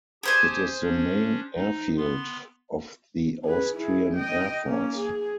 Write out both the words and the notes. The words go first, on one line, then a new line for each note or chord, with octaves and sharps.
It is the main airfield of the Austrian Air Force.
G4 G#4 C5 G#5 A5
C#4 D4
D#4
B3 C6
G#4 B4
E4 G#4
D#5 G5
A#3 C#4
G#4